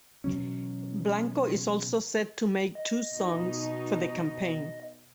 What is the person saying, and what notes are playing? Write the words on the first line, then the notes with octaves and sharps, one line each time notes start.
Blanco is also set to make two songs for the campaign.
B2 E3 F#3 C#4
D#5
B2 D#4